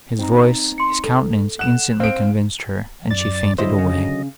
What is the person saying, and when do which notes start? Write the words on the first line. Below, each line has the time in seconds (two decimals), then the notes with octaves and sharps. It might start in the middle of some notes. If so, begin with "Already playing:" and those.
His voice--his countenance instantly convinced her, and she fainted away.
0.19 C4 D#4 A#5
0.78 C6 C#7
1.05 A4
1.59 F#5 F#6 E7
2.00 C4 F5 D7
3.11 F#2 D5 A6
3.58 G2 D3 F#3 E4 C5 D#5
3.78 C#3